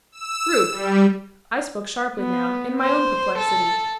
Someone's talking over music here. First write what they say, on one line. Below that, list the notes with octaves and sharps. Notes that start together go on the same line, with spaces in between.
"Ruth!" I spoke sharply now, in my own perplexity.
E6
G3
B3
C5
A4